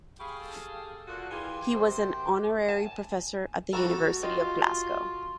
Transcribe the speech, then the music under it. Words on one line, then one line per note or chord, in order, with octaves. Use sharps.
He was an honorary professor at the University of Glasgow.
G4 G#4 F5 B5 C#6
A4 A5
A#2 F#4
E3 F4 G4 G#4 G5 C6
F#2 C3 C5
G#5 A5
G3 F#4 A4 A5 A#5
F4 G4 D#5